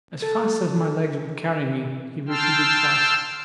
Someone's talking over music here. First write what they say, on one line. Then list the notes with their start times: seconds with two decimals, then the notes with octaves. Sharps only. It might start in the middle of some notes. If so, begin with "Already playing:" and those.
"As fast as my legs would carry me," he repeated twice.
0.22 A4
2.28 G5 A5 C6 E6 F6